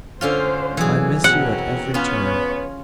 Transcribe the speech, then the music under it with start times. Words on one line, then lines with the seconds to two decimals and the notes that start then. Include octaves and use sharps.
'I miss you at every turn.
0.21 D3 C#4 F4 C5
0.77 B2 E3 F#3 G#4
1.24 B2 C4 C#4 F#4 A#4 F#5
1.94 B3 C#4 F4 C#5